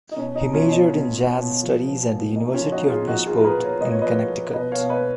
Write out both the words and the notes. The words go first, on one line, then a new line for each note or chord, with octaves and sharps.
He majored in jazz studies at the University of Bridgeport in Connecticut.
D#4
B2 C#4
D#4
B2
C#4 F4
B2
D#4
B2
B2
B2
F3
F3
A#2
A#2 D#4
C#4 F4
F3
D#4 F#4
F3
F4 G#4
F3 D#4 F#4
F4 G#4
F3
A#4
G#4 B4
A#2
A#4 C#5
A#2 D#5
C#5
F3 B4 D#5
F3
B2 B4 D#5
C#5 F5
B2
F5
B4 D#5